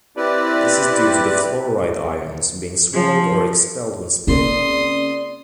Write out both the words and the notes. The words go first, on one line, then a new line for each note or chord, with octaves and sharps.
This is due to the fluoride ions being swallowed or expelled when spitting.
C4 E4 G4 B4 D5
F3
C#3 A#3 C4 F4 D5 C6 D#6